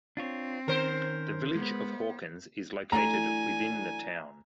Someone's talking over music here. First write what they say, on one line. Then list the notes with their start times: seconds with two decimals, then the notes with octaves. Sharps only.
The Village of Hawkins is located within the town.
0.17 C4 D4 F4 C#5
0.68 D#3 C#4 A#4 C5
1.55 G#3 B3
2.92 E3 F#3 A3 D4 G#5 A#5